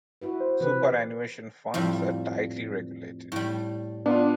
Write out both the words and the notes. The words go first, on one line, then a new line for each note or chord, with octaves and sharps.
Superannuation funds are tightly regulated.
E4 F#4 B4
C5
C3 E3 G4 B4
F2 A2 G3
A2 G3
B3 D4 F4